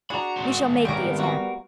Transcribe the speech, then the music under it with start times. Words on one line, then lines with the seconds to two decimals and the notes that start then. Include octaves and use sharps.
We shall make the attempt.
0.10 D4 F#4 G#4 A#5 B5
0.37 G#3 C4
0.85 G3 B3 G4 A#4 C#5 A#5
1.18 A#3 F#4